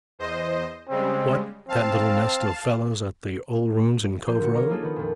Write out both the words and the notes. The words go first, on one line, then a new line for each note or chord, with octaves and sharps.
'What, that little nest of fellows at the "Old Rooms" in Cove Row?
E2 C5 D#5
C#3 G3 G#3 C4
C4 F5 A5
F3 A#3 C5
D3 F#4 C#7
C#5 F5 A#5 D6
A#3 C#4 D#4 F4 G#4 A4
D#3 B3
F2 A#2